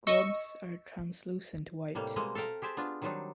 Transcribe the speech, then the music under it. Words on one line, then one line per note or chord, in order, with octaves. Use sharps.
Grubs are translucent white.
D#5 C#6 E6
A2 C3 G3 A#3
B2 G3 G#3 A#3 C4 D#5
A4 E5 F5 G5 A#5
G4 G#4 C5 E5 A5
B3 D4 F4
D#3 F#3 G3 C4 D4 D#4